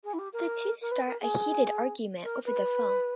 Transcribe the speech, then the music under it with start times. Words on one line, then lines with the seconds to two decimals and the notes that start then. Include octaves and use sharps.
The two start a heated argument over the phone.
0.04 G#4
0.13 E4
0.19 G4
0.33 A#4
0.81 A#4
0.91 B4
1.07 A#4
1.21 G#4
2.24 A#4
2.46 B4